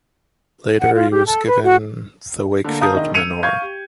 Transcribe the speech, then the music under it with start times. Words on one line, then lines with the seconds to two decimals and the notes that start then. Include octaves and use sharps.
Later he was given the Wakefield manor.
0.80 F#5
0.94 F4
1.10 G4
1.24 A4
1.46 B4
1.62 F#4
2.64 D3 A#3
2.81 F5 A5 A#5 D#6 G6
2.93 E1 D#3 D#5
3.14 E6 G#6 C#7 D#7 F7
3.43 F5 C#6 G6 G#6
3.62 G4